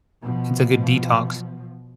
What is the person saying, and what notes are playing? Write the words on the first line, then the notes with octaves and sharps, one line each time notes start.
it's a good detox.
B2 F3